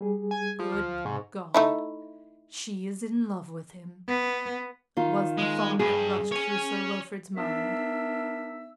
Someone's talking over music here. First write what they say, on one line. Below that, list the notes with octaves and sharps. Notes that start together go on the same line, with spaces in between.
"Good God! she is in love with him!" was the thought that rushed through Sir Wilfrid's mind.
G3 G#4
G#5
F3
D2 F6
G#2 C3 G#5 C#6
A3 D#4 E4
B3
D#3 F4
G#3
G2 G#4
C#5 G#5
B3 D4 D#4 A#4 E5 E6